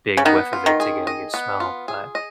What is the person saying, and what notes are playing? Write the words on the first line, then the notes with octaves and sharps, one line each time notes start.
big whiff of it to get a good smell, but,
C#3
D#3 B3
F4
D#3
G#4
D#5
B3
F4
G#4
D#5